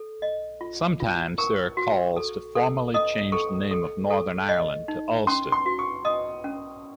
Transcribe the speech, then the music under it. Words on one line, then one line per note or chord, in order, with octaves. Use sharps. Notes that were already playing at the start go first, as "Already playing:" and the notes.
Sometimes there are calls to formally change the name of Northern Ireland to Ulster.
Already playing: A4
D#5
F4
F4
A#4 C#6
F#4
A4
A4
D#5 D#6
A4 C#6
A4
A4
D#5
D#4
C#4 C6
C6
F#4
C#6
D#5 D#6
C#4